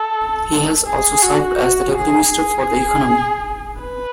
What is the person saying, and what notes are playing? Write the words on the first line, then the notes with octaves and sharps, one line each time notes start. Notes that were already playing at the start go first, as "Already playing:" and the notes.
He has also served as the Deputy Minister for the Economy.
Already playing: A4
G#4
F#4
F#4
G#4
G#4
B4